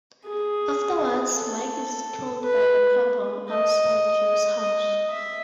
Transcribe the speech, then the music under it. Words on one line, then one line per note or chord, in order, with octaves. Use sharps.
Afterwards, Mike is killed by a car bomb outside Joe's house.
G#4
A4
B4
D#5
D#5
E5